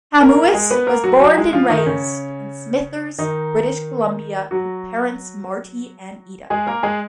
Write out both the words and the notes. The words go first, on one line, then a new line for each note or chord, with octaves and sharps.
Hamhuis was born and raised in Smithers, British Columbia, to parents Marty and Ida.
A#3 A#4
G#3 G#4
B3 B4
A#3 A#4
F#3 F#4
F#3 F#4
G#3 G#4
F3 F4
D#3 D#4
C#3 C#4
D#3 D#4
F#3 F#4
G#3 G#4
A#3 A#4
G#3 G#4